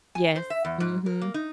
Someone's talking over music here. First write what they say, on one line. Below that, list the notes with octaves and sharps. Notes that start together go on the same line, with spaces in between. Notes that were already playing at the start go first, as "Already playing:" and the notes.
Yes, mhm.
G#5
C5
E5
E2
G#2
A#4
A#3
D#4